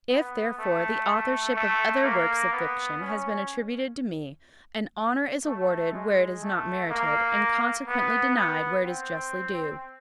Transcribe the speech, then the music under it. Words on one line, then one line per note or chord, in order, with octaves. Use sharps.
If, therefore, the authorship of other works of fiction has been attributed to me, an honour is awarded where it is not merited; and consequently, denied where it is justly due.
B3
A3
A3
A3
A#3
B3
C#4
A3
G#3
A3
A#3
B3
B3
C4